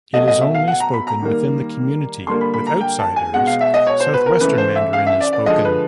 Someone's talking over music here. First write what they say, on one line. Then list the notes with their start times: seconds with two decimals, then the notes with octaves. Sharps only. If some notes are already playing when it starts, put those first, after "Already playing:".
It is only spoken within the community; with outsiders, Southwestern Mandarin is spoken.
0.14 B2 F#3 A3 D#5
0.28 D#5
0.41 E5
0.54 F5
0.68 F#5
0.80 A#5
0.94 B5
1.07 A#5
1.21 D#3 G3 A#3
2.27 D3 G3 A#3 C6
2.41 B5
2.54 B5
2.67 A#5
2.81 G5
2.99 A5
3.16 G#5
3.33 B2 G#3 F#5
3.47 F5
3.61 E5
3.74 D#5
3.87 C#5
4.00 C5
4.14 B4
4.26 A#4
4.40 C#3 E3 A3 B4
4.58 C5
4.76 E5
4.93 F5
5.07 E5
5.20 D5
5.33 D5
5.46 D3 F3 G#3 D#5
5.65 B4